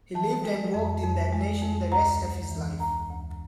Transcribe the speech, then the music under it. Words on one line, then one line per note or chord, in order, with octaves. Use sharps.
He lived and worked in that nation the rest of his life.
E3 A5
G#3
F2
F2
G#3
F2
D2 A#5
D2
E3
D2 A#5
D2